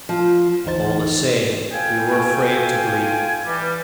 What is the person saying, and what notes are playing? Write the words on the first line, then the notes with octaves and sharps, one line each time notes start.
All the same, we were afraid to breathe.
F3
G1 D2 E3 D#4 C5 A6
F4 A4 G5 G#5
E3 G3